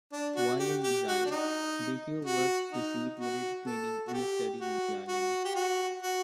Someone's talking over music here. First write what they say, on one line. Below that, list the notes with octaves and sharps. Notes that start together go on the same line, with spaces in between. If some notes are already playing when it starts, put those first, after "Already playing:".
While in exile, Dirceu worked, received military training and studied in the island.
D4
F#4
G4
G4
F#4
D4
D#4
F#4
D#4
F#4
A4
F#4
G4
F#4
F#4
G4
F#4
F#4